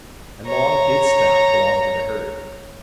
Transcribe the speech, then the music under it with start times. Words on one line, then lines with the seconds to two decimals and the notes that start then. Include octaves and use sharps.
And long didst thou belong to the herd.
0.46 C#5 A#5